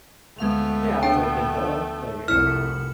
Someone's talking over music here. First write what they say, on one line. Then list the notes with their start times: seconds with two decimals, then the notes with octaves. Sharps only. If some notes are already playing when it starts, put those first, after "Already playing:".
Yeah. I was like, "Then duh. Like, uh,
0.39 D2 G#3 A3 B3 F5 F7
1.03 D4 G5
2.28 F1 C2 E4 F6 C#7